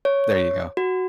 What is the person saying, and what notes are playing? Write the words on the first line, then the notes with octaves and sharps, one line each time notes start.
There you go.
C#5
F#4